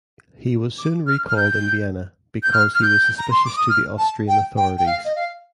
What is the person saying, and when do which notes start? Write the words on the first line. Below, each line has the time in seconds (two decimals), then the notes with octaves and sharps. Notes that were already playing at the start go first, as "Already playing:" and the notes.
He was soon recalled in Vienna because he was suspicious to the Austrian authorities.
0.78 D6
1.06 F6
1.29 F6
1.36 G6
2.43 G6
2.52 F6
2.74 F6
2.82 G6
3.18 A#5
3.30 C6
3.44 D6
3.56 D#6
3.69 F6
3.97 A5
4.28 G5
4.56 G5
4.77 G5
4.86 F5
5.04 D#5
5.15 F5